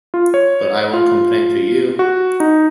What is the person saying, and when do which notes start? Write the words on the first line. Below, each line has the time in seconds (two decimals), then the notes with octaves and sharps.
But I won’t complain to you!
0.14 F4
0.34 C#5
0.93 F4
1.99 F#4
2.40 D#4